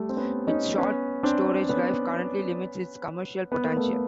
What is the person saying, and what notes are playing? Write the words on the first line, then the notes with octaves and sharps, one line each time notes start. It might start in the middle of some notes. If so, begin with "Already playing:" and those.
Its short storage life currently limits its commercial potential.
Already playing: G3 A3
C4
B3 C#4
C#4 D#4
B3 C#4
C4 D4
B3 C#4
B3
A#3
A3 B3